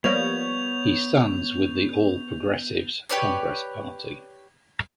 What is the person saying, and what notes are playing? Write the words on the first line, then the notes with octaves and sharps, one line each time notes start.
He stands with the All Progressives Congress Party.
F3 G3 A#3 B3 C#5 G6 F7
G4 B4 C#5 D5